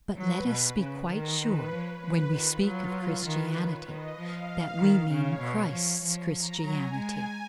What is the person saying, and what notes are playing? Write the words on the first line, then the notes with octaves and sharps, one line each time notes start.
But let us be quite sure when we speak of Christianity that we mean Christ's Christianity.
F#3 B4
B2
C#3
D#3 A#4
B4
F3 C#5
F3 B4
D#3 F4
F#3 F4
F4
D#3 B4
D#3 C#5
D#3 D#5
F3 F5
D#3
C#3 C#5
B2
F3
F3
A#5
F#3 G#5
G#3